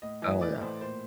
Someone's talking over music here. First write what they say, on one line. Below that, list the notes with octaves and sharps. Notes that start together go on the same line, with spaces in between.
Oh, yeah.
A2 D#5
E3 D#5
A3 D5
A2 C5
A#2 C5